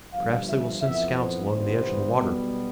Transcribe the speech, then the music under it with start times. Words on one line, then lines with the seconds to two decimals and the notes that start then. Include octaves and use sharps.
Perhaps they will send scouts along the edge of the water.
0.13 G1 G2 F3 F5
0.48 E5
0.81 F2 E3 B3 E5
1.15 C5
1.49 G1 G2 E3 B3 C5
2.16 B1 B2 G3 B3